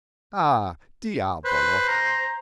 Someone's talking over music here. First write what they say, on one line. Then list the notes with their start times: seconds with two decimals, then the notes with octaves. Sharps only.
Ah! diavolo!
1.45 B4 C5
1.88 A#5